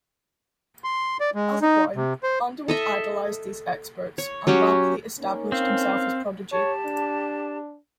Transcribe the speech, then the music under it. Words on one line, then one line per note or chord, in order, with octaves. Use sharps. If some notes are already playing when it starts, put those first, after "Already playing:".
As a boy, Underwood idolized these experts, and rapidly established himself as a prodigy.
C6
D5
G#3
D#4
C3
C5
A4 D#5 E5
C#5
F#3 C#4 F#4 G4
A#3 C#4 D#4
C4 F5
G4 C#5 A5
D4